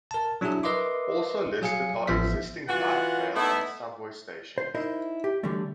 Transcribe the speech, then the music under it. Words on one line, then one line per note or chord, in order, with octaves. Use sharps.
Also listed are existing light rail and subway stations.
A#4 A5
F#3 D4 E4 F#4 G#4 E5
A#4 B4 D#5 E5 C6 D6
F#3 G#4 F5 G#5 C#7
A1 F3 B3 E5 B6
E3 F4 F#4 F#5
A3 B3 D#4 E4
C5
D#4 E4 A#4 C5 D#5
G4
D3 E3 F#3 G3 A3